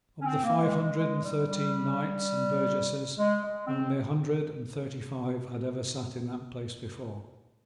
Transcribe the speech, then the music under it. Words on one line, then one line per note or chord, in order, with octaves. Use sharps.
Of the five hundred and thirteen knights and burgesses only a hundred and thirty-five had ever sate in that place before.
C#4
C4
A#3
G#3
G#3
G#3
G3
G3
G#3
G#3
C4